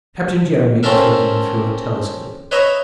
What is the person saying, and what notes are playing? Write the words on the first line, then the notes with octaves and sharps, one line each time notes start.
Captain Jeremy was looking through a telescope.
C4 C#4 F4 A4 A#4 E5
B4 C#5 D#5 E5 A#5